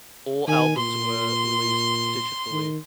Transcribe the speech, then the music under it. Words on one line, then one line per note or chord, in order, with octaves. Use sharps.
All albums were released digitally.
D#3 G#5
A#2 C6
D#3